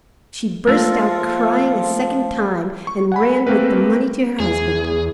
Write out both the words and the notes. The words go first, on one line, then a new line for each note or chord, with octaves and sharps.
She burst out crying a second time, and ran with the money to her husband.
F3 A3 A#3 F4
C#6
F#5 G#5 B5
A3 A#3 C4 A#4 B4
E2 G#4